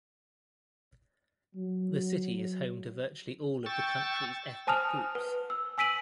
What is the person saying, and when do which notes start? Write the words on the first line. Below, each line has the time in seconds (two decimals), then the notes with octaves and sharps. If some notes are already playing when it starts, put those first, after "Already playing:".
The city is home to virtually all of the country's ethnic groups.
1.56 F#3
3.66 G5 C#6 E6 A6
4.67 C5 G#5 A5 D#6 F6 F7
5.15 B4
5.50 E6
5.78 G#5 E6 B6 D7 D#7 F#7